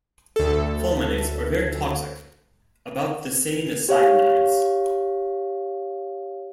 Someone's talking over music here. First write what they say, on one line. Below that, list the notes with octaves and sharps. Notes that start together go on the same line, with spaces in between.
Fulminates are very toxic, about the same as cyanides.
D2 A4
G4 C#5 F5